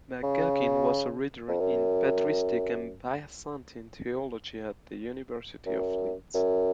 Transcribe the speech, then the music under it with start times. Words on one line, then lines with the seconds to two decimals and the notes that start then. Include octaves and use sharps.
McGuckin was a Reader in Patristic and Byzantine theology at the University of Leeds.
0.23 C#3
1.48 F2
1.60 F#2
5.66 F#2
6.34 F#2